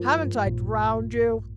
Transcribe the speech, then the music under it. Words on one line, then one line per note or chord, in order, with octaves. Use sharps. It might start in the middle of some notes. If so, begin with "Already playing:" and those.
'Haven't I drowned you?'
Already playing: G2 F3 A#3 F4
G2
G#2
A#1 A#2